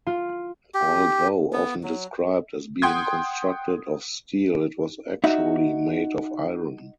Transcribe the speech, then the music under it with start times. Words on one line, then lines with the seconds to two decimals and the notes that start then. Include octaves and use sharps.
Although often described as being constructed of steel, it was actually made of iron.
0.07 F4
0.74 G4
1.53 B3
1.84 F#3
2.82 F#5 G5 C6 D#6 G#6
5.24 D#4 F#4 E5